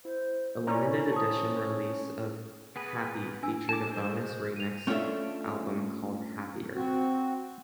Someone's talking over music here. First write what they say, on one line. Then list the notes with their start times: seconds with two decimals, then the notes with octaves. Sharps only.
A limited edition release of "Happy" featured a bonus remix album called "Happier".
0.05 E4 C5
0.67 C#4 E4 D5 A#5
1.12 C5 A5 C#6 D#6
2.76 B3 G#4 B4
3.43 D4 G#5 E6
3.69 A5 D6
3.87 G#3 C5
4.56 D#7 F7
4.87 A3 C#4 D4 F4 A4 E5
6.75 C4 F#4